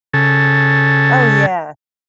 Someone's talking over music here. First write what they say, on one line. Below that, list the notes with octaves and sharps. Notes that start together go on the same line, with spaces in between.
Oh, yeah.
C#3 A4